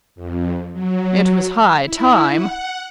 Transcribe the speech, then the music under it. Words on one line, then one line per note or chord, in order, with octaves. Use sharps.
It was high time.
F2
F#3
E4
F#5